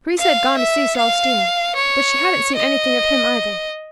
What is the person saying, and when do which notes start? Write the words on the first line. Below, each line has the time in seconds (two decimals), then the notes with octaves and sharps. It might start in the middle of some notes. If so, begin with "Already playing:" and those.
Teresa had gone to see Celestina, but she hadn't seen anything of him either.
0.18 F5
0.57 E5
0.96 F5
1.75 C#5
2.55 D#5